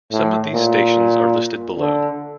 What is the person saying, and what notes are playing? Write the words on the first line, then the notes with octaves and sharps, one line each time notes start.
Some of these stations are listed below.
A2
A#2
D3